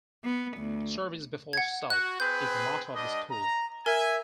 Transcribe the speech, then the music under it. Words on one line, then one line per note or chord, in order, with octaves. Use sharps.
"Service Before Self" is the motto of the school.
B3
D2
F#5 G#6
F#4 F#6
C4 G#4 B4 G6
G3 D4 D#5
A#5
A#4 E5 G#5